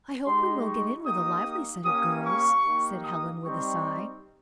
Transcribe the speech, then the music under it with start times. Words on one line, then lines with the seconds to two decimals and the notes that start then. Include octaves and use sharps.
"I hope we will get in with a lively set of girls," said Helen, with a sigh.
0.26 G#3 D#4 G4 C6
0.66 C#6
1.06 A#3 D#4 G4 D#6
1.85 A#3 C#4 G4 D#6
2.25 C#6
2.64 A#3 D#4 G4
3.04 D#6
3.44 G3 C4 D#4 G4 C#6